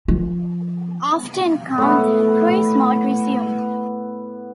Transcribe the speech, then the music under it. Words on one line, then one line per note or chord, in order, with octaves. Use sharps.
After encounter, cruise mode resumed.
F3
A2 B3